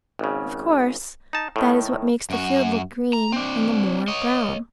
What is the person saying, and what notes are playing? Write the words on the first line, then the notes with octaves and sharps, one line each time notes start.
Of course: that is what makes the field look green and the moor brown.
G#1 C#3
D#4 A5
A2 D#3
F#2 F#4
A#5
C4 D4
C#5 D#5